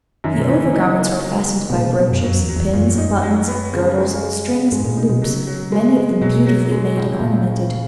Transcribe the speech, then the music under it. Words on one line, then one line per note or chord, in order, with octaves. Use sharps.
The over-garments were fastened by brooches, pins, buttons, girdles, strings, and loops, many of them beautifully made and ornamented.
F#2 D#3
B2
C#3 E3
D#3
C#3 D#4
A#3
F#3
G#2
B2
A#2 C#3
B2
B2 F#3
F#2
F#2 F#3
E2
F#3
E2
F#2 A#2
D#4
F#3
B3
C#3
G#3
G#3
C#3
G#2 G#3
A#2
B2 D#4
B2
C#3 F#3
F#3
G#3
G#3
B2 F#3
F#3
G#3
C#2
A#2 C#3
C#3
C#3